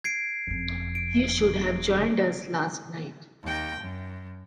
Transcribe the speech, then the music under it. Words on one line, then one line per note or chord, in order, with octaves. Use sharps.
You should have joined us last night.
G#6 C7 D7
F#1 F2
D7
D#2 G5
F#2